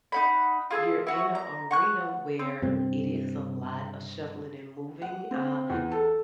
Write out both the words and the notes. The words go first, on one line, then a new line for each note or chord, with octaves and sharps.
you're in a arena where it is a lot of shuffling and moving, uh,
D#4 F#5 B5
F4 G#4 A5 E6
E4 F#4
A#5
F#5 C#6 F#6
C4
G2 C3 C4
F#5
C4
E2
A4